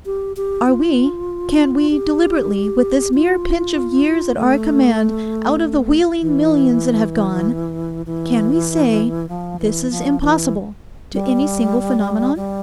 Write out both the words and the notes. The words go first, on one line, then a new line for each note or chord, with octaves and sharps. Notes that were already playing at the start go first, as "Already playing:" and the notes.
Are we--can we, deliberately, with this mere pinch of years at our command out of the wheeling millions that have gone--can we say, "This is impossible," to any single phenomenon?
G4
G4
F4
G4
F4
A3
E3
E3
F3
E3
F3
E3
G3
G3